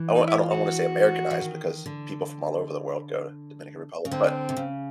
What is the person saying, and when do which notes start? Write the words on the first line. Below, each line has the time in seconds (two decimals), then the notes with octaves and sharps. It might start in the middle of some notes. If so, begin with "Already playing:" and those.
I want I don't I wanna say Americanized because people from all over the world go to Dominican Republic, but,
Already playing: E3
0.14 D#4
0.27 E4
0.39 F4
0.51 F#4
1.31 E3
1.41 D#3
1.86 D3
4.05 C#3
4.11 D3 C4
4.49 C3
4.57 C#3